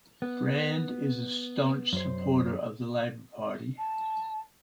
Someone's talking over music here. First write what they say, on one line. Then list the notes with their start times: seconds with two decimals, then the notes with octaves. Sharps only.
Brand is a staunch supporter of the Labour Party.
0.22 B3
1.93 F#2 C5
3.78 A5